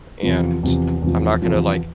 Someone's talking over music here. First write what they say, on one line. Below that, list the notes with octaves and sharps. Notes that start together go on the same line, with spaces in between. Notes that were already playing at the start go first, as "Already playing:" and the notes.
And I'm not gonna, like,
E2 C3 F3
E2 C3 F3
E2 C3 F3
E2 C3 F3